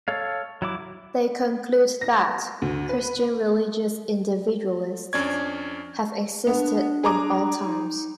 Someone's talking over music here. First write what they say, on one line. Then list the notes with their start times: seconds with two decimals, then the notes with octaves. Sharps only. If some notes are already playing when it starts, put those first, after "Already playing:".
They conclude that Christian religious individualists have existed in all times.
0.08 A4 C#5 F5
0.62 F#3 E4 D6
2.01 A#6
2.62 D2
2.89 B4
5.13 F2 C#4 D4 D5 C#6 G#6
6.47 B3 D4
7.03 G#4 A#5 D6
7.62 D#4